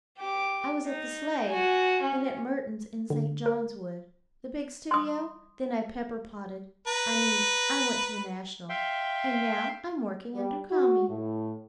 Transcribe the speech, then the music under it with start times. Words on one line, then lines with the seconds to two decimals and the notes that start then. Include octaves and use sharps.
I was at the Slade, then at Merton's in St. John's Wood, the big studio, then I pepper-potted,--I mean I went to the National,--and now I'm working under Kami.'
0.18 G4 D6
0.85 D#4
1.48 F#4 G#5
2.02 C#4
3.10 D3
3.46 A#4
4.91 C6 D#6
6.87 B4 A#5
8.70 E5 F5 G5 C6
10.35 G3
10.71 F#4
11.09 A2